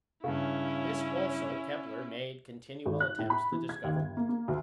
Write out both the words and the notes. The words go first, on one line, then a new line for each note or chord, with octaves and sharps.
This also Kepler made continual attempts to discover.
G2 C#3 C#4 E4
G#1
F#6
A2
B5
E3
G#6
D#2
G1
A#3
A#3
D2